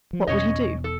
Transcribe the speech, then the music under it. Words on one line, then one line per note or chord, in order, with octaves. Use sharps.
What would he do?
F3
E2 B2 C#4 C#5 D#5
A4